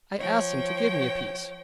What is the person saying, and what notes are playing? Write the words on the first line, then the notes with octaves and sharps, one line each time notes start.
I asked him to give me a piece.
F3 C#5 G5